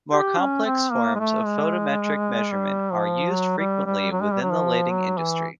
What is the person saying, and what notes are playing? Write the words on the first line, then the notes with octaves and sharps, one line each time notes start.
More complex forms of photometric measurement are used frequently within the lighting industry.
G4
C#4
C4
A#3
G#3
A3
G#3
G3
F3
F#3
G3
G3
F#3
G#3
G3
F#3
F3
F#3
E3